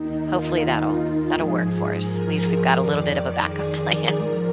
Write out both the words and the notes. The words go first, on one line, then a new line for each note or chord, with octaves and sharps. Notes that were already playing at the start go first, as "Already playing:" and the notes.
hopefully, that'll that'll work for us. At least we've got a little bit of a backup plan.
Already playing: D#2 D#3 D#4
F4
F4
G#2 F3 G#4
A#4
F2 D#3 D5
G#4
A#4
G#2 F3